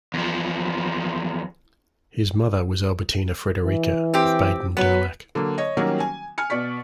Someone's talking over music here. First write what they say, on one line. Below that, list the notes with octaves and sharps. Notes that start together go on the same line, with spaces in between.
His mother was Albertina Frederica of Baden-Durlach.
E2 F3
E3
C4 G4
F#3 B3 B4
D3 F#3 A#3
C#5 D#5
D#3 F#3 G3 A#3 C#4 F#4
G#5
G#5 F6 C#7
B2 D5 C#6 B6